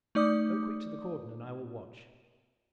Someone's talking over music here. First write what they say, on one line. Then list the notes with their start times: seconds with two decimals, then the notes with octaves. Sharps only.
'Go quick to the cordon and I will watch.
0.15 A3 D#4 D5 D6 D#6